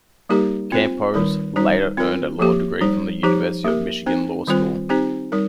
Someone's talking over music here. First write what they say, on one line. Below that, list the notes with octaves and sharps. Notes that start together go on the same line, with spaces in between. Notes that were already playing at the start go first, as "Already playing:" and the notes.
Campos later earned a law degree from the University of Michigan Law School.
G3 A#3 D#4 G4 A#4
C4 F4 C5
D#3 G3 D#4 A#4
G3 D#4 C5
C4 F4 A#4
F3 A#3 G4
G3 D#4 C5
F3 D#4 G4 C5
A#3 G4 A#4
C4 D#4 C5
D#3 G3 C4 F4 C5
C4 D#4 G4 C5
G3 D#4 A#4